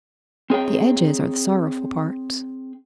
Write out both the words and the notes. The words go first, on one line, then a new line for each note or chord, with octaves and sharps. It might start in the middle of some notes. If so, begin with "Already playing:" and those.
'The edges are the sorrowful parts.'
C4 G#4 C#5 G5